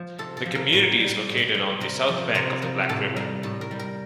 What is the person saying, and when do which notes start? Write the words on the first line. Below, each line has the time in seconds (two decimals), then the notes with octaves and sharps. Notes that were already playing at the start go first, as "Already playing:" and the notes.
The community is located on the south bank of the Black River.
Already playing: F3
0.18 C3 A4
0.37 A4
0.45 F3
0.55 A#4
0.72 A2 A#4
1.00 G3
1.27 A2
1.54 G3
1.80 C3 A#4
2.08 F3
2.35 C3 A#4
2.62 F3 A#4
2.89 A2 A4
3.16 G3 A#4
3.43 A2 A4
3.61 A#4
3.71 G3
3.79 A#4